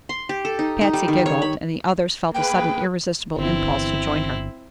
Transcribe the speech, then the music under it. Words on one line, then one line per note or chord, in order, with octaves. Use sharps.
Patsy giggled, and the others felt a sudden irresistible impulse to join her.
C6
G4
A4
D#4
D#4
G3
D#3
C#5
B5
A#3 G#4 B4 G5
G1 E3 C4 E4